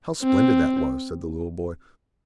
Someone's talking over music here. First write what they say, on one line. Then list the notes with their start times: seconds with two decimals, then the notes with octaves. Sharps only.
"How splendid that was!" said the little boy.
0.23 C4